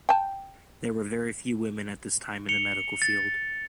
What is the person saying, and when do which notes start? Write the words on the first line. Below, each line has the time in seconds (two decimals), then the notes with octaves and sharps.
There were very few women at this time in the medical field.
0.09 G5 A5
2.49 C#7 F7 G7
3.02 A6